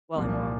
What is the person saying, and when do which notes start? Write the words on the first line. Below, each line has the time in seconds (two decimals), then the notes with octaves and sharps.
while I walk.
0.16 C2 A#2 F3